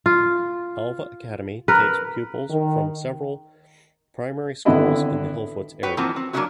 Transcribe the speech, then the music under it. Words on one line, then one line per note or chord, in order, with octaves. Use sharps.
Alva Academy takes pupils from several primary schools in the Hillfoots area.
F4
A#4 B4
D#3
G#1 D3 B3 E4 D#5 B5
F#4 B4 C#5 G5
E3 F3 A#3 C4 F#4
C4
F#3 A#3 C#4 D4 E4 F#4